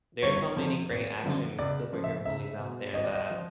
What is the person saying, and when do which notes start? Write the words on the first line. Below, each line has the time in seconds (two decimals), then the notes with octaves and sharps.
there are so many great action superhero movies out there that
0.23 G1 C#5
0.56 F2 C3 F3
0.90 G#1
1.23 F#2 D3 F3
1.58 C#2 D5
1.92 C#3 F3
2.04 E5
2.26 C#2 E5
2.59 B2
2.93 G#1 D#5
3.04 D5
3.14 D#5
3.30 F3